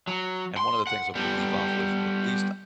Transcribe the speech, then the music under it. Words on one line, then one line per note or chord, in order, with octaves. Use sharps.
And one of the things I'm gonna leave off with, at least
F#3
C6
F#5
G3 B3